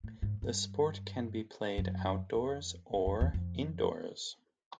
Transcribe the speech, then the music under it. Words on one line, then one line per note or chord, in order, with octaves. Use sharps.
The sport can be played outdoors or indoors.
A2
G#2
G2
F#2
F2
F#2
F2
E2
F2